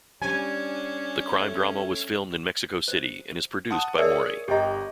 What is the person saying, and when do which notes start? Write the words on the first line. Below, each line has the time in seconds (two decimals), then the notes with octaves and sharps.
The crime-drama was filmed in Mexico city and is produced by Mori.
0.22 G3 C#4 D4 G#5
1.35 A3
2.88 C5
3.70 F#5 A5 C6 D#6
3.98 G#4 A#4 C#5 D5 E5
4.48 G1 G4 D#5 G5 A#5